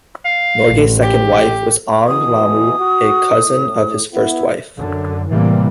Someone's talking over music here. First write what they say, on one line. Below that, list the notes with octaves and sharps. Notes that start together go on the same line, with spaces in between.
Norgay's second wife was Ang Lahmu, a cousin of his first wife.
F5
A1
G4
B2 E3 D#6
F#4
A2
B3 E4
F#2 D3
A2 C3 E3 G3 A#3